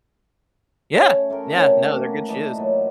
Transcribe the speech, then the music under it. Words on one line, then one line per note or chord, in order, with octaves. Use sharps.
Yeah. Yeah. No, they're good shoes.
A3 C#4 C#5
A3 F4 G4 A#4
C3 E3 C#4 G4
A3 A#3 F#4 A#4
E3 D#4 D5 A5
A#2 F#3